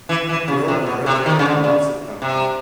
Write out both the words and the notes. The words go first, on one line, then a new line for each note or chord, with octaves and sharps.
A girl in a red jacket laughs at the camera.
E3
E3
C#3
C3
B2
C3
D#3
C#3
D3
C#3
C3